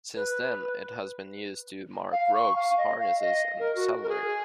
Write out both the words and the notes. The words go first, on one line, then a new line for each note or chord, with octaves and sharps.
Since then, it has been used to make ropes, harnesses and saddlery.
B4
F5
C#6
F5
D#5
F5
D#5
A#4
F#4
A#4
G#4